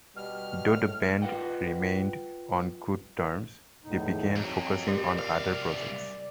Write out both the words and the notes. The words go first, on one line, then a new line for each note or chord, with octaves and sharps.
Though the band remained on good terms, they began focusing on other projects.
B2 G3 F6
A2 G#3
F4 B4 D#5 F#5 G5
E2 A2 D#4
F2 F#3
G4 A#4 D5
C2 F5